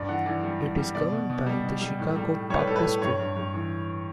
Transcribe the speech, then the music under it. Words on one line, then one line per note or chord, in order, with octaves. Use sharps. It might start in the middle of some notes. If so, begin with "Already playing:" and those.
It is governed by the Chicago Park District.
Already playing: G2 D5
E3 F#5
E3 D5
G3
G3
G3
B2 D5
B2
B2
G3
B2
G3
A2
G3
A2
G3 C#5
B4
A2 A4
B4
A2
G2 C#5
G2
G2
E3